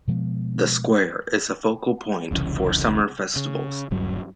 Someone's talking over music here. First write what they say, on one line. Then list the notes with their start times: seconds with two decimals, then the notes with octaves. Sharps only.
The square is a focal point for summer festivals.
0.08 B2 F3 G#3 B3
2.31 E1 C2 C#3 E3
3.36 C#3
3.91 D#1 D2 G2 F#3